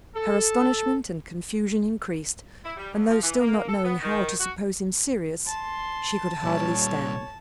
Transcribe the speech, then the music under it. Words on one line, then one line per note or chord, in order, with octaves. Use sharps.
Her astonishment and confusion increased; and though still not knowing how to suppose him serious, she could hardly stand.
A4
E4
G3
F2
F3
E3
A#3
A4
B3
D#3
F#4
A5 C6
A#2 G3 C#5